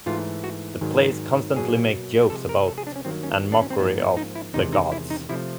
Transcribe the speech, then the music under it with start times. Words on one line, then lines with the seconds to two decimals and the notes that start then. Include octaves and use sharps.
The plays constantly make jokes about and mockery of the gods.
0.06 G#2 E3 A3 F4
0.44 F#4
0.81 G#2 D#3 F#3
1.55 B2 F#3 A#3 G#4
2.30 C3 F3 G#3 A4
2.49 A#4
2.68 A4
2.78 G#4
2.87 D4
2.96 C#4
3.05 G2 D#3 F#3 A#3 C4
3.23 C#4
3.52 D4
3.61 C#4
3.70 C4
3.79 G#2 F3 A#3 B3
3.98 B3
4.17 D#4
4.35 E4
4.54 E2 C3 D#3 G#3 D#4
4.73 D#4
4.92 E4
5.10 D#4
5.29 C3 F3 A3 E4